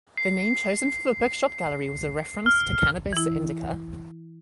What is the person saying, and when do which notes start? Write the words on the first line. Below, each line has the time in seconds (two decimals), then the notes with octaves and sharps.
The name chosen for the bookshop-gallery was a reference to Cannabis indica.
0.17 C7
2.46 F6
3.13 E3 E4